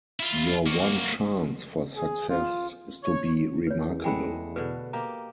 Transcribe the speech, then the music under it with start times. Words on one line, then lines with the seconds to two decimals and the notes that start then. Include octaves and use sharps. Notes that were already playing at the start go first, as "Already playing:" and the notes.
Your one chance for success is to be remarkable.
0.20 E4 F4
0.66 A#3 F#4
1.96 G#4
2.30 F4
3.03 C#5
3.67 E2 B4 C#5
4.04 G#3 A3 F#5 G5 B5
4.56 B2 D3 B4
4.93 A#3 G4 D#5 A#5